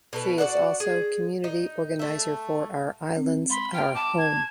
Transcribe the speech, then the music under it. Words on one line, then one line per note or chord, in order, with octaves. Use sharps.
She is also community organizer for Our Islands Our Home.
B2 A4 B4
F#4 A4 D5 F#5
G#4
D#4
A3 E5
C4
G#3 B5 C6
G5 F6
A5 D6
G#6